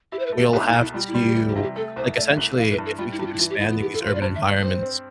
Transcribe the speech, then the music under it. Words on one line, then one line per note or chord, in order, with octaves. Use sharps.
we'll have to, like, essentially, if we keep expanding these urban environments,
E4 G4
C5
B4
A3
G4
C2 G4
E4
B2
E4
G3 F4
E4
G3
E4
G4
E3 F4
G4
C3 F4
G4
A3 A4
C2 C5
A3 D5
E5
C2
E3 F5
B4
G2
A4
G3 F4
E4
G2 G4
F4
E4
E3 F4
G4
B3 E4
F4
E3 G4
A4
F4
B4
D5
G2 C5
E5
G2
D5
C4 C5
C4